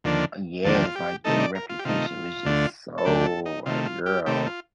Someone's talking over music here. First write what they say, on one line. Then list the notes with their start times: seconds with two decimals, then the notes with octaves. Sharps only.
Uh, yes, like, they reputation was just so like, girl,
0.04 D#2 D3 F3 A#3 D4
0.65 D#2 D3 F3 A#3 D4 A4
0.74 G4
0.85 F4
0.96 G4
1.24 C3 D#3 A3 D#4 A4
1.40 D5
1.55 A#4
1.69 F4
1.79 G4
1.85 C3 D#3 A3 D#4 F4
2.45 D2 D3 A3 D4
2.98 A4
3.05 D2 D3 A3 D4 G4
3.20 G4
3.26 A4
3.46 D#4
3.66 C3 D#3 A3 F4
3.85 F4
4.06 G4
4.26 C3 D#3 A3 G4
4.46 F4